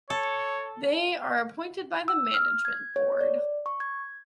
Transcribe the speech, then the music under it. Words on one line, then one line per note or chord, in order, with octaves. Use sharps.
They are appointed by the Management Board.
A4 C#5
E6
F6
G#6
C#5
D5
C#6
G#6